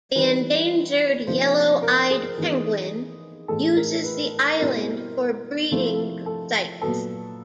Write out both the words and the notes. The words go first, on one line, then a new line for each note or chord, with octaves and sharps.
The endangered yellow-eyed penguin uses the island for breeding sites.
E3 G3 C4 D#4 B4
C3 F3 A#3 D#4 C5
A#4
G#4
E3 G#3 B3 D#4
A2 E3 G#3 A4
A#4
B4
B2 G3 C4 E4 A#4
C3 F3 A3 C4 E4
A4
A#2 F#3 B3 A4